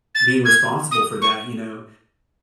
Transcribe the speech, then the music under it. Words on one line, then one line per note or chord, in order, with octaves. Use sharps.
being responsible for that, you know.
A6
G#6
D#6
C#6